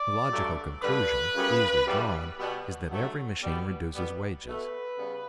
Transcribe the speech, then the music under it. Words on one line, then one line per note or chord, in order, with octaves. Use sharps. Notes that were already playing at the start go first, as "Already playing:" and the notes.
The logical conclusion easily drawn is that every machine reduces wages.
Already playing: D5
G2 F#3 A3
G2 D3 G3 B4
F#2 C#3 G3 B3
F#2 C#3 E3 G3 B3
B2 G3 B3
G2 F#3 A3
B2 G3 B3
B2 G3 B3
B2 A3 B4
C#3 G3 B3